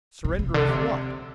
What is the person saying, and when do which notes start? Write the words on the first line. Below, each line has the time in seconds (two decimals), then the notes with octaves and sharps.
Surrender of what?
0.25 C3
0.39 C3
0.54 D3
0.69 C3